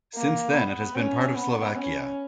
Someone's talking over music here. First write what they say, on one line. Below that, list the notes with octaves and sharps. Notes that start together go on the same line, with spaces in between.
Since then it has been part of Slovakia.
A#3
B3
C#4
B3
C#4